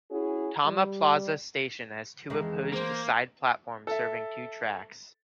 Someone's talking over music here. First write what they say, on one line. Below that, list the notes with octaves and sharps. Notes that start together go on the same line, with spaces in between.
Tama Plaza Station has two opposed side platforms serving two tracks.
C#4 E4 F#4 G#4
G3
F2 D#3 E3 G#3
A#3 C5
A4 E5